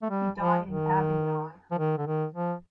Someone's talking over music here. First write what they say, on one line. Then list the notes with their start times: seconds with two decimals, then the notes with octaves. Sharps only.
He died in Avignon.
0.02 A3
0.10 G3
0.39 F3
0.67 D#3
1.71 F3
1.78 D#3
1.98 D3
2.06 D#3
2.34 F3